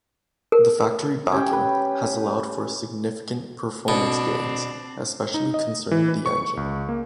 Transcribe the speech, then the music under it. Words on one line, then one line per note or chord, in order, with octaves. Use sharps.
The factory backing has allowed for significant performance gains, especially concerning the engine.
A#4
C#4 G4 G5
B4
B2 C4 D4
D#4
D#5
E3
B4
C#6
C#2
A#3